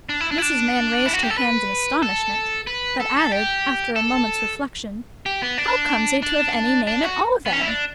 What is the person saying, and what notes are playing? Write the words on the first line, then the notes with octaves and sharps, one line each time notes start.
Mrs. Mann raised her hands in astonishment; but added, after a moment's reflection, 'How comes he to have any name at all, then?'
D4
E4
D4
E4
D4
E4
F#4
G4
A4
B4
A4
B4
A4
A4
G4
A4
G4
B3
D4
D4
D4
F#4
B3
C#4
E4
D4